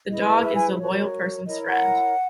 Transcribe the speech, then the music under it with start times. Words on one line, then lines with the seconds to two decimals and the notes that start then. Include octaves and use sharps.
The dog is the loyal person’s friend.
0.09 E4 G#4 B4 D#5
0.44 E5
0.56 G#5
0.78 F#4 A#4 C#5
1.46 E4 A#4 C#5 D#5
1.70 F#5